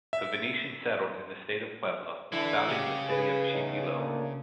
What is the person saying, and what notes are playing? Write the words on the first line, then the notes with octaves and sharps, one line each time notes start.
The Venetians settled in the State of Puebla, founding the city of Chipilo.
E5
D3 E3 E4
C#3 G#3 F#4 G4
G#4 B4
E2 A2 D#4
D2 A2 A#3